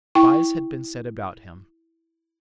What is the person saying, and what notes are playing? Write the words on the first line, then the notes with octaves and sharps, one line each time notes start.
Spies had been set about him.
E4 G5 C#6